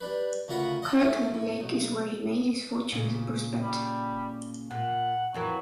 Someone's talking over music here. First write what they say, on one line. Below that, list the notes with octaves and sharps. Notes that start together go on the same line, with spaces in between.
Kirkland Lake is where he made his fortune as a prospector.
G3 D4 B4
D2 C#3 F4 A#4 F#5 B5
D#5 F#5 A5
A3 C#4
A2
B1
A#2 C#3
G3
A#2 F#5
F2 E3 F#3 A#4